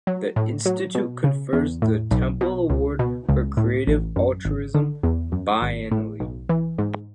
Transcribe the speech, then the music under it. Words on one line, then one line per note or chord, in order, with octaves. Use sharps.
The institute confers the Temple Award for Creative Altruism, biennially.
F#3
A2
F#3
B2
C#3
E2
A2
B1
B2
C#2
B2
C#2
A2
A1
F#2
G#1
D3
E2
F#2
G#1
A2
B1
E3
G#2